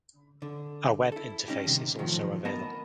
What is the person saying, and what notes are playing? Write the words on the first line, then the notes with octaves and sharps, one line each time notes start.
A web interface is also available.
D3
E4 A4
G3 C#4 D#4 G4
C3 D#3
A2 D#3 F3 F#3
B3 A#4 D#5 A5